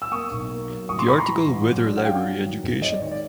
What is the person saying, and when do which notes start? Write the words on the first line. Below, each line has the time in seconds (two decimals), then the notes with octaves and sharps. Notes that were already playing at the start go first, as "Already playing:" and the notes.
The article Whither Library Education?
0.02 E6
0.12 A#3 C#6 D#6
0.31 B1
0.50 A#3
0.69 F#3
0.89 A1 C#6 D#6
0.99 C6 D6
1.08 A1 B5 C#6
1.18 A#5 C6
1.28 E3
1.47 A1
1.66 F#3
1.86 D4
1.97 F#5
2.05 F#3 F5 G5
2.24 F#3
2.44 D#3
2.63 G#1
2.82 G#3 C#5 D#5
2.92 D5
3.02 D#3 C#5
3.11 D5